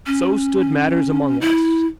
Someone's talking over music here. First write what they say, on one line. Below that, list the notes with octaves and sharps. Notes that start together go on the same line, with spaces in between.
So stood matters among us.
C#4
E4